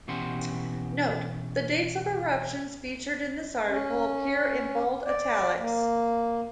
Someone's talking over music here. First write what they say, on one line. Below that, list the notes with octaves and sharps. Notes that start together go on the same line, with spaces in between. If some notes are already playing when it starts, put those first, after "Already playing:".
Note: The dates of eruptions featured in this article appear in bold italics.
B2 E3 C#4 G4 F#5 C6
C#4
D5
A#3